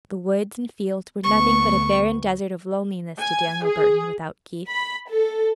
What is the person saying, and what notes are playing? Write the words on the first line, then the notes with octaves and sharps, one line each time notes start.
The woods and fields were nothing but a barren desert of loneliness to Daniel Burton--without Keith.
D2 A3 B3 C#6
G#5
G#4
B5
A4